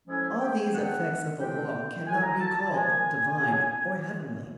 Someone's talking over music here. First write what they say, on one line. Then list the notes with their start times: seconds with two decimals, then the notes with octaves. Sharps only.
All these effects of the Law cannot be called divine or heavenly.
0.07 A2 F3 G#3 C#4 E4 G#5
0.40 G5
0.73 C#3 F#3 B3 D4 F#5
1.40 A2 E3 G#3 C4 G5
2.05 A2 F3 G#3 G#5
2.22 A#5
2.38 A5
2.55 A5
2.71 A#2 F3 G#3 G#5
3.37 C#3 F#3 B3 D4